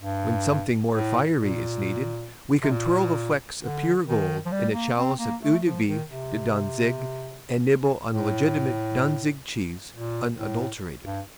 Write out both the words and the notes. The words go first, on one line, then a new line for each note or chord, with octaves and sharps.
When something more fiery is needed we can twirl the flecks of pure gold in a chalice of Eau de Vie de Danzig and nibble on legitimate Danzig cheese unadulterated.
G2
A2
A#2
C3
A#2
D3
D#3
F3
G3
A#3
C4
A#3
A3
F3
D#3
C3
A2
A#2
A2
G2